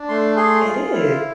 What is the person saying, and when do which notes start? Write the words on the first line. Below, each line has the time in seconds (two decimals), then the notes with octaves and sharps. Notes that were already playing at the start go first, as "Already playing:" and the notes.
It is.
Already playing: D4
0.09 A3 C6
0.36 G#4 C6
0.64 F4
0.92 E4